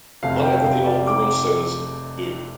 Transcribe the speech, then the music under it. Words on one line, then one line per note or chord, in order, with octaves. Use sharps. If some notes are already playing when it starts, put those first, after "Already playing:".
Whatever the old girl says, do.
F1 F2 C3 F5
G5
F5
D5
D6